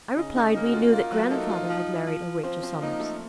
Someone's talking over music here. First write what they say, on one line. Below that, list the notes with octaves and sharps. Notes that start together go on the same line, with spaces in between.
I replied we knew that grandfather had married a Rachel Somers.
C#3 D#4
D#4
A#3 D#4
F#4
F4
A#3 F4
F#3 F#4
A3 D#4 A4
F4
F3
F3
F3 C4 C5
C4 C5
A#3 D#4 A#4
A3 A4